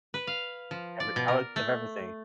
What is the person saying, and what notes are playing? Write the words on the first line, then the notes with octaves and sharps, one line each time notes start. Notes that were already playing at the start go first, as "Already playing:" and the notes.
every I would give everything.
B4
F5
F3
D5
B2
A#4
A3